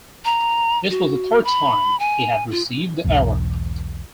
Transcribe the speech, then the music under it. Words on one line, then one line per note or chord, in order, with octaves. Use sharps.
This was the third time he had received the award.
A#5
F#4
B5
G#5
F4
B1 E2 G#2